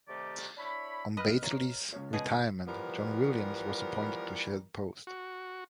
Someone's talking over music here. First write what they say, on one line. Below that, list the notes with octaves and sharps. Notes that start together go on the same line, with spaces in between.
On Bately's retirement, John Williams was appointed to share the post.
C3 D#3 A3 G4 D5
D4 E4 C#5 B5
B4 D#5 B5 F6
C#5 A#5
C#2 C#5
B2 G#4
E3 F3 G3 B3 A#4
F#4